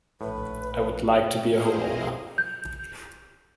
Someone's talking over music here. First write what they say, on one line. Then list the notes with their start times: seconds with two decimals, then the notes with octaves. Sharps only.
I would like to be a homeowner.
0.21 A#1 A2 B4
1.47 E4 G#4 A#4 C5 D#5 F5
2.38 G6